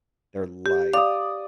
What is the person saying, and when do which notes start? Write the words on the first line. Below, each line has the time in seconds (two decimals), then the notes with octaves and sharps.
their life,
0.66 G4
0.93 D5 F5 D#6